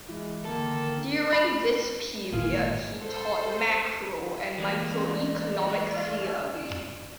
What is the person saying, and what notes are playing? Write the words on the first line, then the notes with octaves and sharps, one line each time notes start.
During this period he taught macro- and micro-economic theory.
E3 G#3
D3 D#3 A#3 A4 A#4
B5
G#1 A#2 A#3 F4 G#4
A4 C5
E3 G#3 A#3 D5